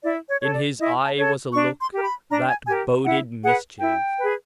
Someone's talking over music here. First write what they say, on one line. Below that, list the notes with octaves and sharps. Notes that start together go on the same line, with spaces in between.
In his eye was a look that boded mischief.
E4 D5
C#5
A4 C#5
D5
E4 D#5
A5
A4 C#5
D4 C#6
C6
G4 A#4
B5
D4 A#5
G#5
G4 A#4 G#5
E4 F#5
G#4 B4 F#5
E4 G5
G#4 B4